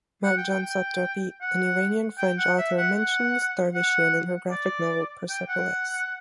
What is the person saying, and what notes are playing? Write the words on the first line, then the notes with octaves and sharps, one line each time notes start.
Marjane Satrapi, an Iranian-French author, mentions Darvishian in her graphic novel "Persepolis".
F#5
G5
G5
G5
F#5
G5
F#5
E5
F#5
F#5
F#5
D5
G5
F#5